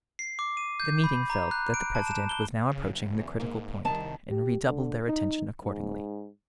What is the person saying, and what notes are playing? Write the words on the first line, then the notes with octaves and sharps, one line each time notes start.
The meeting felt that the president was now approaching the critical point, and redoubled their attention accordingly.
C7
D6
D#7
G6
B5
A#5
F#6
D7
A5
E7
G7
C#3
F#1
E2
G#2 A#3
C2 D#3 A5
G4
D3
D#4
G#2